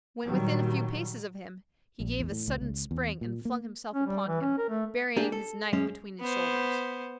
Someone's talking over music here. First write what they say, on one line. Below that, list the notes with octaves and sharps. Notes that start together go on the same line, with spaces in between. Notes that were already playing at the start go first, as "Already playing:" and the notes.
When within a few paces of him he gave a sudden spring and flung himself upon him, burying his knife between his shoulders.
A#2 D#3 F#3 G3
A#1
E2
A2
C#2
C#2
E2
A#2
A#3
C#4
G3
E3
C#4
A#4
A3
A#3 D4 G4 G#4
A4
F#2 G#3 C#4
B3 C5